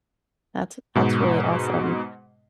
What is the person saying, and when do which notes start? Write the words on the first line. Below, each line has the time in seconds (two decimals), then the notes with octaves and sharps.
That's that's really awesome.
0.95 G#2 B2